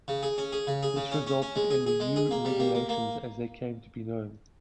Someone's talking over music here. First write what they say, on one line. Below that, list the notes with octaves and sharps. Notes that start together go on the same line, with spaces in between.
This resulted in the "U-Regulations" as they came to be known.
C#3
G#4
C#4
G#4
C#3
G#4
C#3
C#4
C#4
C#4
G#3
G#4
G#4
G#3
G#4
A#3
G3
A#3
A#3
A#3